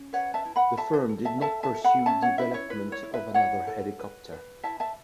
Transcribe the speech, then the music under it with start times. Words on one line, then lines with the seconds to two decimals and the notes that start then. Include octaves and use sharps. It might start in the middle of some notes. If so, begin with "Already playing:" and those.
The firm did not pursue development of another helicopter.
Already playing: C#4
0.13 B4 C#5 F#5
0.34 E5 A5
0.45 E4
0.56 F#5 B5
0.77 A4 E5 A5
0.93 B4
1.09 A4
1.25 E5 A5
1.41 A4 E5 A5
1.63 E5 A5
1.74 A4
1.84 F#5 B5
2.06 C#4 E5 A5
2.22 C#5 F#5
2.38 E4 B4 E5
2.54 C#5
2.70 E4 B4
2.92 C#5
3.03 E4
3.14 B4 E5
3.34 E4 C#5 F#5
3.67 A4
3.99 B4
4.32 B4
4.63 E4 E5 A5
4.80 E5 A5